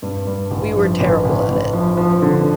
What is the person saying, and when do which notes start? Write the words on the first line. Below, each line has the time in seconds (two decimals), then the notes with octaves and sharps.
We were terrible at it.
0.02 G2
0.27 G2
0.51 A1
0.75 F3
1.00 A1
1.25 A1
1.48 A1
1.73 F3
1.97 F3
2.22 D3